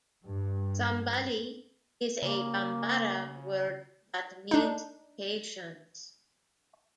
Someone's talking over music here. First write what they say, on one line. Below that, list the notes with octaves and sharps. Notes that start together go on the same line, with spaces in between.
"Sabali" is a Bambara word that means patience.
G2
C#3 A#3
D4 D#4